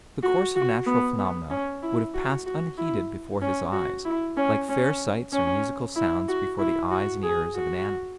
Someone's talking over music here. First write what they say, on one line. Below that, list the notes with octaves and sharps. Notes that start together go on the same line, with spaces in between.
The course of natural phenomena would have passed unheeded before his eyes, like fair sights or musical sounds before the eyes and ears of an animal.
F#4
F#4
B3
B3
C#4
E4
F#4
F#4
E4
C#4
F#4
E4
C#4
C#4
C#4
E4
F#4
E4
F#4
G#4
F#4